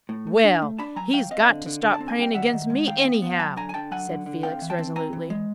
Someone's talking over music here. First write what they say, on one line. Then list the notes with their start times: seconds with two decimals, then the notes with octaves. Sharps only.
"Well, he's got to stop praying against me, anyhow," said Felix resolutely.
0.09 A2
0.27 A3
0.44 D4
0.62 A3
0.78 D4 A5 B5
0.96 F#3 G#5 A#5
1.14 F#3 F5 G5
1.31 C4 D#5 F5
1.49 D3
1.66 D3
1.83 D3
1.94 A5
2.01 C4
2.08 G#5
2.18 G3 G5
2.34 D#3 E5 F#5
2.53 D#3
2.70 G#3
2.87 D#3 F5 G5
3.04 B3
3.22 B3
3.39 F#3 G5 A5
3.57 D3 G#5 A#5
3.69 G#5
3.74 D3 G5 A5
3.91 F#3 F#5 G#5
4.09 D3
4.26 D3
4.43 C4 F5 G5
4.62 E3
4.70 G5 A5
4.79 C4
4.96 C4 G#5 A#5
5.13 E3
5.30 G#3